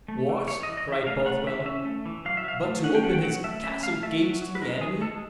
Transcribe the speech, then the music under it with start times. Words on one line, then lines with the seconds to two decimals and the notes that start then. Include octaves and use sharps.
"What!" cried Bothwell, "but to open his castle gates to the enemy!"
0.08 A3
0.29 E3
0.47 E3 C#5
0.63 D#5
0.68 E3
0.77 D#5
0.88 E3 E5
1.07 A3 F5
1.26 A3 F#5
1.47 E3 E5
1.66 C#4 E5
1.85 A3
2.06 E3
2.25 F#3 F5
2.37 E5
2.44 F#3 F5
2.65 A3
2.84 C#4 F#5
2.95 G5
3.04 A3 F#5
3.14 G5
3.23 F#3 F#5
3.44 A3 E5
3.63 C#4 E5
3.83 A3 F5
4.02 A3 E5
4.23 F#3
4.42 F#3
4.55 B4
4.62 G#3 A#4
4.81 D#3 G#4
5.01 G#3 A4